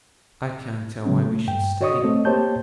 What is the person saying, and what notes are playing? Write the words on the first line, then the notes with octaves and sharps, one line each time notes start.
'I can't tell why we should stay.
C#3 F#3 G#3 B3 C#4
A3
G2 G5
F#4 C#5 D#5 C#6 D#6
A3 C4 D#5
A#3 G4 C5 C#5 A5 G6